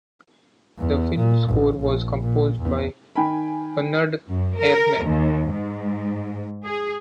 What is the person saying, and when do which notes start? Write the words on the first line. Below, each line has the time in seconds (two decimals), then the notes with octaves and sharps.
The film score was composed by Bernard Hermann.
0.78 E2
1.16 A#2
1.49 A1
1.79 A#1
2.22 A#2
2.59 E2
3.16 D#3 G5 G#5 B5
4.30 F#2
4.59 A#4
5.03 D#2
5.54 G#2
6.65 G#4